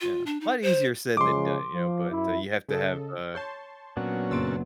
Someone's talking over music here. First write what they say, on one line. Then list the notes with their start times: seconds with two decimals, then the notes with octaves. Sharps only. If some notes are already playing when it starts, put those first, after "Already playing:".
Yeah, lot easier said than done, you know? But, uh, you have to have, uh,
0.01 F4
0.26 D4
0.41 D#4
0.62 C5
1.17 C#3 F3 G#3 C6 D6
1.74 F3
2.10 F#2 E4
2.68 C#3 A4 D#5
3.35 C#5 A5 C6 C#6 G6
3.97 A#2 F#3 B3 C#4 D4 F#4
4.31 F#1 C6 E6 A6 D7